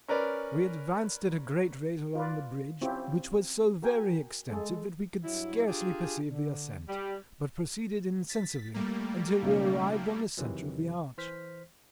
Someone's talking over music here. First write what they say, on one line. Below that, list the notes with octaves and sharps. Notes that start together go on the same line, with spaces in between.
We advanced at a great rate along the bridge, which was so very extensive that we could scarcely perceive the ascent, but proceeded insensibly until we arrived on the centre of the arch.
C#4 A#4 B4 D5
F4 B4 D5
C4 C#4 E4 F4 G4
F#4 A#4 G5 G#5
G#3 G#4 A4
G2 F#3 E4
D4 F4 G4 G#4
D3
G3
A6 B6
G3 A3 A#3
B1 C#3
F2 C3 D#3 E3 F#3
E3 C5 F6 B6